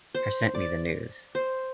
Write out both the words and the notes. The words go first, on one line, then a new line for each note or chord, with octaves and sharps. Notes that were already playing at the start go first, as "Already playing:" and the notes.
Her sent me the news.
C5
D5
C5